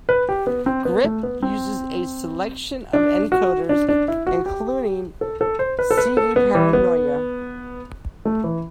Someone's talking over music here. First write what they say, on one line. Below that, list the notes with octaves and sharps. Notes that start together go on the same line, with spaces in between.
Grip uses a selection of encoders, including cdparanoia.
B4
G4
B3
C4
B3
A3
B3
C4
D4
F#4
D4
D4
E4
F#4
G4
A4
A4
C5
B4
A4
B4
A4
B3
E3
B3
A3
E3